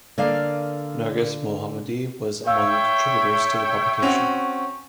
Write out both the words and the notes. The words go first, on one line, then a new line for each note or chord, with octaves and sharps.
Narges Mohammadi was among the contributors to the publication.
D3 A#3 D5 F5
C#5 E5 F5 G5 C#6 E6
C4 C#4 F#4